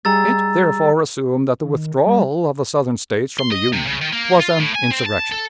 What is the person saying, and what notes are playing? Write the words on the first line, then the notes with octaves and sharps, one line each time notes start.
It, therefore, assumed that the withdrawal of the Southern States from the Union was an insurrection.
G3 D#4 G#4 A#5 E6 A6
D#3
G3
C6
D#5
C3
C#3
D#3
A#3
F4
A2
G#5
C4
A5
A4